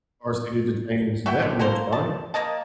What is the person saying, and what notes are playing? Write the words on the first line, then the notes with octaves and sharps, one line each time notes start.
our city to change that much, right?
F#4 E5 G5
D3
A#3 A4 A#4 C5
A5
A#3 A#4 D#5 A5